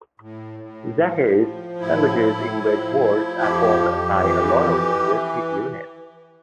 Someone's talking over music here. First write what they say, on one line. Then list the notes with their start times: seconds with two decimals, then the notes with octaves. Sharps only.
That is, languages in which words are formed by a lot of linguistic units.
0.20 A2
0.60 A2
1.00 F3
1.40 F3
1.80 A2 E4
2.20 A2
2.61 F3
3.01 F3
3.41 F2 G4
3.81 F2
4.21 E3
4.62 E3